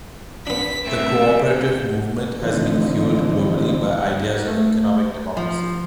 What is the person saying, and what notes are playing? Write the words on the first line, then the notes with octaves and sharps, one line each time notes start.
The cooperative movement has been fueled globally by ideas of economic democracy.
B3 D4 B6
A3 C4 E5
D3 E3 F3 C4 D#4
A3
F3